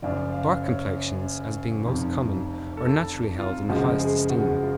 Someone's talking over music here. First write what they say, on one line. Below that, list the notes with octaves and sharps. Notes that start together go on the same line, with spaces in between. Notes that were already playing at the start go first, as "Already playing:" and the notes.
Dark complexions, as being most common, are naturally held in the highest esteem.
F#1 F#2 F3 D5
F5
C#5
F1 F2 F3
A4
F4
F#1 F#2 F3 G#3 F#4
G#4
F#4
G#4
F#4
F4